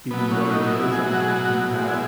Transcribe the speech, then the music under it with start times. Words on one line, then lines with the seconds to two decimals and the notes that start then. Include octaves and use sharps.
being the way it is, I mean, we do have
0.11 B2 F#3 B3
0.31 C#4
0.51 D#4
0.73 E4
0.92 B2 F#3 G#4
1.06 F#4
1.20 G#4
1.33 F#4
1.74 B2 G#3 F#4
1.89 E4